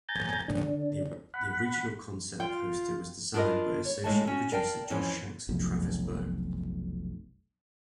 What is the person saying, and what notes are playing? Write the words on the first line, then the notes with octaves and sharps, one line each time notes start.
The original concept poster was designed by Associate Producer Josh Shanks and Travis Bow.
G#5 A#5 G6 A6
D3 D4
F#5 B5
F4 G5
D4 F4 A#4 B4 D#5
C#5
A2 G#3 A3 C#5 A5
C#4 F#4
A#4 D5 F5 G5 A5
F2 E3 C#4
F1 B1